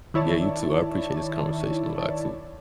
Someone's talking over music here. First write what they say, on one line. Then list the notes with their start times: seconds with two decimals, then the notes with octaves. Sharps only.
Yeah, you too. I appreciate this conversation a lot, too.
0.14 D#3 E4 C#5 D5 A5